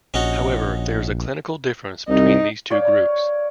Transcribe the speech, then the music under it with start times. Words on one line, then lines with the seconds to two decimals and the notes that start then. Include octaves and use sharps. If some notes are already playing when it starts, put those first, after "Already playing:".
However, there is a clinical difference between these two groups.
0.14 A#1 C#4 D#4 F#4
2.08 C2 D#4
2.70 C#5 D5 F5 G5